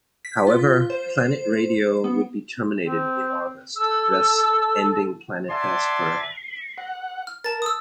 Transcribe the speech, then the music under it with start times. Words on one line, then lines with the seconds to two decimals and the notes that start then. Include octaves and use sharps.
However, Planet Radio would be terminated in August thus ending Planetfest forever.
0.25 B6
0.47 F4
0.90 C5
2.04 B3
2.85 C4
3.76 A4 E6
5.50 D5 E5 F#5 G#5 A5 C6
6.78 F#5
7.27 F6
7.44 A#4 A5 A6
7.62 D#6 E6